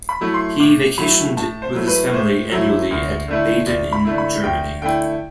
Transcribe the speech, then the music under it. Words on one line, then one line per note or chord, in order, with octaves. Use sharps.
He vacationed with his family annually at Baden in Germany.
B5
F#3 A3 E4
C6
A2 D6
F#3 A3 E4 B5
A2 A5
C5
F#3 A3 E4
B4
A2 C5
F#3 A3 E4
D2
D3 A3 E4
D2 D5
B5
D3 A3 E4
B5
D2 G5
D3 A3 E4 G5